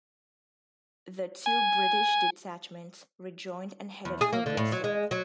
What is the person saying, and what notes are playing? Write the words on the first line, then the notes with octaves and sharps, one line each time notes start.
The two British detachments rejoined and headed for Bristol.
G#5
E2
G#4
A#3
D3
A2
F#3
G#3
F#3